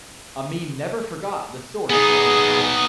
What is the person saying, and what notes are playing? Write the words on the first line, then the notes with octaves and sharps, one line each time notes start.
Amin never forgot the source of his power.
B3 D#4 G#4